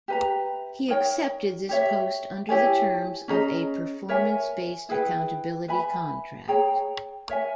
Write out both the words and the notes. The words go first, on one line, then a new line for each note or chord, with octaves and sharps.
He accepted this post under the terms of a performance-based accountability contract.
G4 B4 E5 A#5
D#4 A#4 C#5 G5
G4 C#5 E5
E4 G4 C#5 G#5
C#4 G#4 D#5 A#5
A#4 C#5 E5 G#5
E4 G#4 B4 G5
B4 E5 G#5 B5
G#4 C#5 G5 A#5
A#4 C#5 E5 G#5